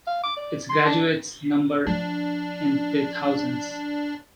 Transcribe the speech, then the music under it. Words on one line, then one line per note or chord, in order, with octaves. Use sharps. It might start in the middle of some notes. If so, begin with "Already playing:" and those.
Its graduates number in the thousands.
F5
D6
D5
C6
D4
F3 D4